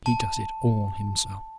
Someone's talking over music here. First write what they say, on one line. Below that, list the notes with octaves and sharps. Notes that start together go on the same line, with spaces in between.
He does it all himself.
A5